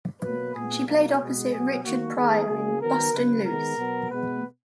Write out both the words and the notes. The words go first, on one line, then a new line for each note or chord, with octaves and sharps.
She played opposite Richard Pryor in "Bustin' Loose".
B2 F#3 A#3 B4
A#2 G#3 B3 G#4
B2 F#3 A#3
B2 G#3 B3
B2 F#3 B3 G#4
D#3 A#3 F#4
D#3 G#3 B3 G#4
C#3 F#3 A#3
D#3 F#3 B3 A#4
C#3 F#3 A#3 B4
D#3 G#3 B3 A#4
B2 F#3 B3
B2 G#3 B3 B4